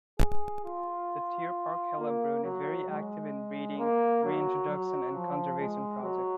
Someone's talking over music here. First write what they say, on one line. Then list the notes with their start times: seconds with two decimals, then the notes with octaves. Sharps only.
The Tierpark Hellabrunn is very active in breeding, reintroduction and conservation projects.
0.20 G#4
0.65 F4
1.99 A#3
2.44 F#3
2.88 G#3
3.78 A#3
4.24 F#3
4.69 F#3
5.13 F3
5.59 G#3
6.02 F#3